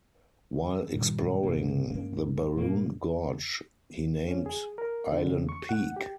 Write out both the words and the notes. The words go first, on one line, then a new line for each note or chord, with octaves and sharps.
While exploring the Barun gorge he named Island Peak.
G2 A#2 D#3 G3
G2 C3 A#3
G2 G#3 A#3 C#4
A#2 A#3
C#4
G#4
A#4
D3
C#3
C#6
F#5
G4